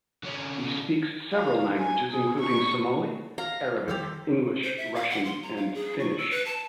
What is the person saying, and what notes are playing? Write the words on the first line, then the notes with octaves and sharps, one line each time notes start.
He speaks several languages, including Somali, Arabic, English, Russian and Finnish.
D3 C#4
F5
G#5
G#4
C#6
F5 A#5
D#3 F3 G3 G4 A4 C5
C5
E5
F5
F#5
C6
A#5
F5
G#4
C#6
E6
B4
A5